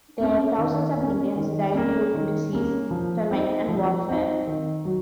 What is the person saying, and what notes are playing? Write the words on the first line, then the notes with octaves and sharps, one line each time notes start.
There, thousands of Indians died due to disease, famine and warfare.
A#3 C#4
D#3
A#3
C#4
D#3
A#3 C#4
D#3
A#3 C#4
F3
C4 D#4
F3
C4 D#4
D#3
F#3